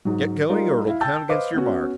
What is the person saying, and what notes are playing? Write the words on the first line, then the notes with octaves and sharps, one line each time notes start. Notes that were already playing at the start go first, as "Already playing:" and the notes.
"Get going or it'll count against your mark!"
G#2 F#3
G3 D#4 F4 A#4
E4 F5
G5 A5 E6 G6 A6
B4 C5 D#5 F5 D6
B3 C#4 F#4